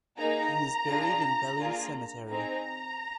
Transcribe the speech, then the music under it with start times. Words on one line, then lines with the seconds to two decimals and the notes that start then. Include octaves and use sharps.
He is buried in Bellu cemetery.
0.18 A#3 D#4 G#4 A#5
0.88 D4 F4 G#4
1.59 A#3 D4 F4 G#4
2.29 C4 D#4 G#4 A#5